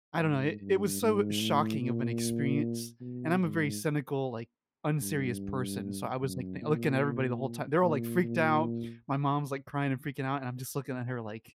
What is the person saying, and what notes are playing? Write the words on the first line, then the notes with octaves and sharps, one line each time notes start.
I don't know. It it was so, shocking of an experience, and I'm a very cynical, like, unserious person, so, I was, like, th looking at everybody the whole time. They're all, like, freaked out, my mom's, like, crying, and freaking out, and I'm just looking at her like,
G#2
G2
G#2
A2
A#2
B2
G#2
G2
F#2
A#2
A#2
A#2